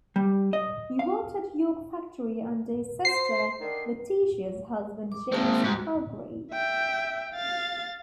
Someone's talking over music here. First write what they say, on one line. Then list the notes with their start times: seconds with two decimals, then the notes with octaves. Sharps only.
He worked at York Factory under his sister Letitia's husband James Hargrave.
0.16 G3
0.53 D#5
0.99 F5
3.05 C5 C7
3.60 D3 D#3
5.12 D6
5.32 G#3 A#3 C4 A5
5.64 G#2 G3 F#4
6.52 E5 G5
7.33 F5 A6